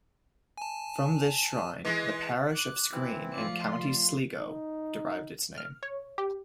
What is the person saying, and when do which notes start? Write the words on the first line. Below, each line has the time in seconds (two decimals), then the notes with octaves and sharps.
From this shrine the parish of Skreen in County Sligo derived its name.
0.58 G#5 A5
1.85 E3 G#3 B4
2.52 D6 F#6
2.93 E3 C4 E4
3.33 F3 A3 F4 D5 C#7
3.63 D5 C6
4.39 D#4
5.58 F6
5.83 C#5
6.18 G4